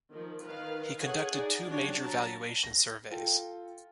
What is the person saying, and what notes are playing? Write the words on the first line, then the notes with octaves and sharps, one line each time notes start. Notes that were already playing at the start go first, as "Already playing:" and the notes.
He conducted two major valuation surveys.
D#3 F3
D#3 B4 F5
G#4 A4 C#5 F#5 G#5
D#4 G#4 D5
F#3 D4 F#4 G4 C#5
F#3 A5 A#5
A#6
F4 A4 G5